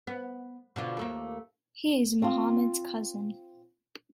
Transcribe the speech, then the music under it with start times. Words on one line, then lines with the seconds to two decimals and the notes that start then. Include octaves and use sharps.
He is Muhammad's cousin.
0.07 B3
0.76 B2 D3 F4
0.97 D#2 A3 A#3
2.22 C4 F4